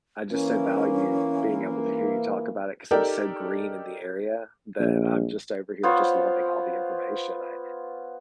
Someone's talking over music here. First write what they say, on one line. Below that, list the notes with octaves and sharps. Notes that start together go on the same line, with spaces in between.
I just so value being able to hear you talk about it 'cause I'm so green in the area that I'm just over here just loving all the information, I
E3 A#3 C#4
D#4 G4 A4 A#4 D5 G5
A#1
B3 F4 C5 C#5